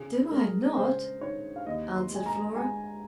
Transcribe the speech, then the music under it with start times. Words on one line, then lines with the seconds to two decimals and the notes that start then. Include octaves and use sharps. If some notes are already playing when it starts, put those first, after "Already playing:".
'Do I not?' answered Flora.
Already playing: C#3 G#4
0.31 G#3 A#4
0.77 C#3 C5
1.21 D#4 C#5
1.56 F5
1.66 D#2 D#5
1.96 C6
2.11 G#3 G#5
2.26 A#5
2.55 G#3 G#5